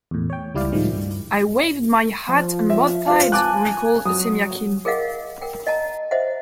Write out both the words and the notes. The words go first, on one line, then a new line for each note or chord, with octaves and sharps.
"I waved my hat on both sides," recalled Semyakin.
E2 A2
C#5 G5
C#2 G3 E4 D5 F5
A2 D#3 F3 G3 G#3
G2
F3
E5
F4 C5
G#5 A5 D6 F#6
F#3 D#6
G#4 A#4 D#5 F5 F#5
A#4 F#5 G5
D#5 F#5 A5 A#5
C5 D#5 E5 F#5